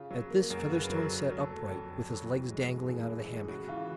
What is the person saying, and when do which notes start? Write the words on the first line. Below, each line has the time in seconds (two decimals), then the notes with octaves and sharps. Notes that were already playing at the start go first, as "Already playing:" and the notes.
At this Featherstone sat upright, with his legs dangling out of the hammock.
Already playing: C#3 F4
0.11 F#3
0.30 A#3
0.50 F#2 A#4
0.70 C#3 B4
0.90 F#3 A#4
1.10 D3
1.30 F#3
1.39 A4
1.49 A3
1.70 F2
1.89 D3
2.10 F#3
2.29 E3
2.50 G#3
2.69 A2
2.88 A2 G#4
3.09 E3
3.29 G#3
3.48 C#3 F#4
3.58 F#4
3.68 E3 F4